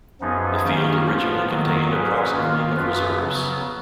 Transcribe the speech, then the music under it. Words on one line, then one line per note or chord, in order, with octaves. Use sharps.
The field originally contained approximately of reserves.
F#2 F3 B3 D#4 G#4
D#3 A#3 C#4
F3 B3 F4
D#3 F#3 A#3
G#2 F#3 C#4 G#4 B4
D#3 A#3 F4
F#2 F3 B3 F4 B4
C#3 F#3 B3